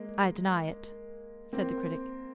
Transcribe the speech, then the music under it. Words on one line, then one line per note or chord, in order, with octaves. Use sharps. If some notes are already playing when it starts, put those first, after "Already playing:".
"I deny it," said the Critic.
Already playing: G#3 A#3
A#3 C4